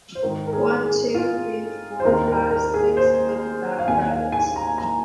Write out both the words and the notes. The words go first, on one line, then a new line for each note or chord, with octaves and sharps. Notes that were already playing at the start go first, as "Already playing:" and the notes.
One, two, three, four, five, six little fat rabbits!
C5
G#2 D#3 A#4
A#4
G#4
G#4
F4
C5
D#2 D#3 A#4
A#4
A#4
G#4
C5
F5
D#2 D#3 G#5
F5
G#5
A#5
A#5